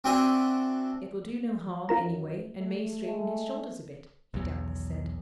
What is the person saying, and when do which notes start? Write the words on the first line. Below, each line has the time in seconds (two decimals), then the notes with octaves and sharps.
"It will do no harm, anyway, and may straighten his shoulders a bit," he doubtless said.
0.04 C4 D4 F#4 C5 E5 G#5
1.89 F#2 F4 A#4 A#5
2.60 A3
3.04 G#3 A3
4.34 B1 E2